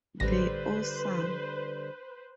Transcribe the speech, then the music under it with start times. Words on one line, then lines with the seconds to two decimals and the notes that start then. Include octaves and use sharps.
They’re awesome.
0.20 A1 D3 G3 B4 C5 A#6